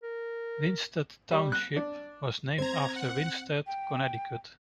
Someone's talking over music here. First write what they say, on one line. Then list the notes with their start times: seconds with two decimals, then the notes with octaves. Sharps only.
Winsted Township was named after Winsted, Connecticut.
0.03 A#4
1.31 G3
1.52 F#6
1.76 D4
2.58 C4 C5 A#5 G#6
2.96 F#5
3.67 G5